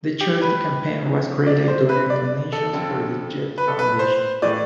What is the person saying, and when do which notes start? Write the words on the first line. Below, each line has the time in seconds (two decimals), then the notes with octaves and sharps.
The charity campaign was created to earn donations for The Jed Foundation.
0.21 G4
0.42 B4
1.04 F2 C3 E3
1.47 D5
1.68 C5
1.89 B4
2.10 D5
2.53 A4
2.73 F2 D3
3.58 B4
3.68 A4
3.79 B4
3.99 C5
4.42 A2 E3 D5